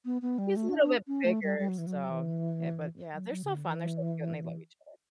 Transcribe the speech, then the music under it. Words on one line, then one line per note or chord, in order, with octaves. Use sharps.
he's a little bit bigger, so, yeah, but, yeah, they're so fun, they're so cute, and they love each other.
B3
B3
G3
A3
D4
D4
C#4
A3
G3
G3
F#3
E3
F#3
E3
F#3
F#3
C#3
D3
E3